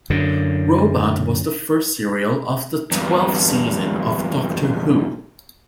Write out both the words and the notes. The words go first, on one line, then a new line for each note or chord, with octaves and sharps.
"Robot" was the first serial of the twelfth season of "Doctor Who".
F#2 D3
E2 G2